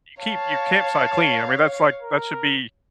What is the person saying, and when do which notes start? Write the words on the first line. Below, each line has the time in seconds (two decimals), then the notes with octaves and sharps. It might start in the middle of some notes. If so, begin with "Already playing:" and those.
keep your campsite clean. I mean, that's, like, that should be
0.20 C#5 F5 A5
2.02 A#4